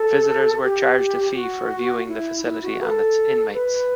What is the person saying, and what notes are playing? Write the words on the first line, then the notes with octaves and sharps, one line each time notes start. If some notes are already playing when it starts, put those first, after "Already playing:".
Visitors were charged a fee for viewing the facility and its inmates.
Already playing: A4
G4
F#4
E4
E4
F#4
B4
A4
B4